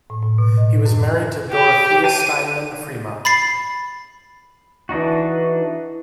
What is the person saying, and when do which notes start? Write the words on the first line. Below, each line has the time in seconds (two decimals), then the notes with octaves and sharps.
He was married to Dorothea Steinmann Freema.
0.10 A2
0.22 A2
0.38 B2
0.57 D#5
0.85 F#2
1.52 G4
2.06 D#7
3.25 B5 A6 C7
4.89 E3 D4 D#4 F#4